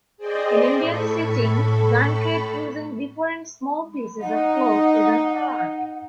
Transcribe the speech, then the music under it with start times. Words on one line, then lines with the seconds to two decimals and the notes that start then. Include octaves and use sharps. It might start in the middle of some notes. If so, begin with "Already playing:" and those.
In Indian stitching blanket using different small pieces of cloth is an art.
0.17 G#4 C5 D5 D#5 G5
0.81 A2 A4 B5 C#6
4.22 D#4 F#5